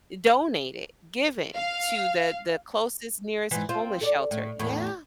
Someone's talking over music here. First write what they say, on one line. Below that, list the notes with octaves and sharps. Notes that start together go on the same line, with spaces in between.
donated, given to the the closest, nearest homeless shelter yeah.
F5
G#2 E3
C4 F4
A4 D5
A2
E2 A2